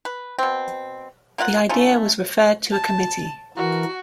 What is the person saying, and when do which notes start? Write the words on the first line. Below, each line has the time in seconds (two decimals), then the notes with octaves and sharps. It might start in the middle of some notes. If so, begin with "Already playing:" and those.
The idea was referred to a committee.
0.05 B4
0.39 B2 C4
1.38 A#3 F4 F5 F#5
1.69 A3 C#4 D#4 F4
2.72 A5
3.57 E3 F#4 A#4